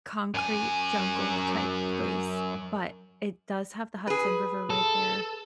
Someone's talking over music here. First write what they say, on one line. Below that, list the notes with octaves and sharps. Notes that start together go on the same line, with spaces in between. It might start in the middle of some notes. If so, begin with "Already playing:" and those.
concrete jungle-type place, but it does have the Hudson River right there.
F#2 G#5
G#4 B4
A4